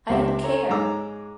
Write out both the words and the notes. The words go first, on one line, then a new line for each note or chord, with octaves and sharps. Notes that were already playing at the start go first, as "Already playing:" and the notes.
I don't care!
C#2 C4 G4 E5
A4 C#5 A#5
G#2 G#3 C#5 A#5 D6 E6